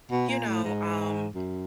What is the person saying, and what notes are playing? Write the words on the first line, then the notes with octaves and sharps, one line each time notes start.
you know, um,
B2
A#2
A2
G#2
F#2